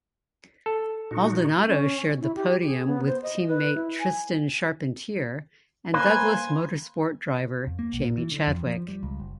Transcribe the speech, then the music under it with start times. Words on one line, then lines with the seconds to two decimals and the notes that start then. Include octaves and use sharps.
Maldonado shared the podium with teammate Tristan Charpentier and Douglas Motorsport driver Jamie Chadwick.
0.66 A4
1.11 A#2 D#4 F#4
1.67 C#4
2.21 E4
2.35 G4
2.65 G#4
2.87 B3
3.06 C5
3.22 D#5
3.48 B4
3.75 E4
4.00 G#5
5.94 A#3 B4 C5 G#5
7.67 F2
7.79 A#3
7.93 B1
8.05 A#2
8.17 E3
8.31 D3
8.47 F2
8.66 F3
8.88 G3
9.03 C#2
9.20 F#1